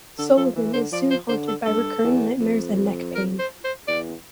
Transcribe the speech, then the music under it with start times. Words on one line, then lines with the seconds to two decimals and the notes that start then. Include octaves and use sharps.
Sullivan is soon haunted by recurring nightmares and neck pain.
0.18 D3 A4
0.37 F3 A4
0.56 E3
0.73 D3 C5
0.92 F3 D5
1.10 C5
1.29 D3 C5
1.48 A4
1.66 G2 A4
2.04 E2
2.40 F2
3.15 A#4
3.39 C5
3.64 C5
3.88 E2 D5